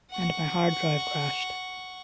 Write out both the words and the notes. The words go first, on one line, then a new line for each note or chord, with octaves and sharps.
And my hard drive crashed.
F#5 C#6